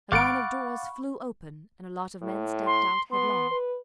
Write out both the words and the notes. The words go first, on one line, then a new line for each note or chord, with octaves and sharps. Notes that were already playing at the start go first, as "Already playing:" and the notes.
A line of doors flew open and a lot of men stepped out headlong.
G#1 F5 F#5 B5 C#6 D6 A6 D7
A2
C6
B3 C6
B4